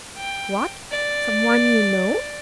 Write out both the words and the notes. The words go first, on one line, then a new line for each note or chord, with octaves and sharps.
"What! someone you know?"
G5
D5